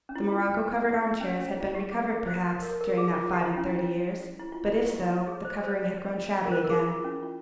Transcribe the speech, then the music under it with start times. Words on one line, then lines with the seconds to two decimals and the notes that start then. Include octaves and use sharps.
The morocco-covered arm-chairs had been re-covered, perhaps, during that five-and-thirty years; but if so, the covering had grown shabby again.
0.09 C#4
0.16 E4
0.32 F4
1.21 C#4
1.39 C#4
1.56 E4
1.75 G4
1.91 G#4
2.10 A#4
2.27 C5
2.63 A#4
2.81 A#4
2.98 G#4
3.15 F4
3.33 G4
3.46 E4
3.57 C#4
3.69 E4
4.39 E4
4.52 F4
4.64 E4
4.78 F4
4.90 E4
5.10 F4
5.27 G#4
5.45 C5
5.64 C5
6.45 A#4
6.51 C5
6.64 A#4
6.70 G#4
6.79 E4
6.87 F4
7.04 C#4
7.23 F4